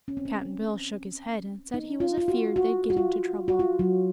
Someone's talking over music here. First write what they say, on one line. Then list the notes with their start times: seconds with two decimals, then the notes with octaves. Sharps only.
Cap'n Bill shook his head and said he was afeared they'd get into trouble.
0.08 C#4
0.17 C4
0.25 C#4
1.74 D#4
2.00 F4
2.18 F4
2.28 F#4
2.56 F#4
2.90 F#4
2.97 F4
3.48 F#4
3.60 F4
3.79 F#3